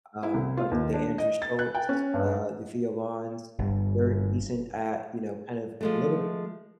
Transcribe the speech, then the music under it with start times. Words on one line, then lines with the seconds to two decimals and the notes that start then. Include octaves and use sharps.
um, like, the Andrew Schultzs, uh, the Theo Vanns, they're decent at, you know, kind of little
0.23 E4
0.34 C2
0.57 F4
0.71 D#2
0.94 D4
1.18 D#5
1.42 A6
1.59 F#6
1.75 G5
1.89 C#4
2.14 G2
3.59 G1
5.81 F3 G#3 A3